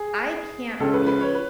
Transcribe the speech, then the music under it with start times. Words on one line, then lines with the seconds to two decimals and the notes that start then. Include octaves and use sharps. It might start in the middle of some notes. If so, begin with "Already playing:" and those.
I can't really
Already playing: G#4
0.80 C#2 C#3 A4
0.93 B4
1.07 B4
1.21 C#5
1.34 B4